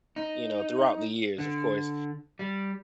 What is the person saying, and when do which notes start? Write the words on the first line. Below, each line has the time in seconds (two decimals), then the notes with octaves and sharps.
you know, throughout the years, of course,
0.16 D#4
1.38 D3
2.39 G3